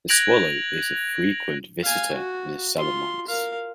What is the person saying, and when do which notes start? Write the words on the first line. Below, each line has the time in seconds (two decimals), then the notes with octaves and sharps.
The swallow is a frequent visitor in the summer months.
0.09 F#6 G#6 A#6 D7 F7 F#7
1.83 F5 G#5
2.12 F#4
2.78 F4 C6
3.27 A#4 F5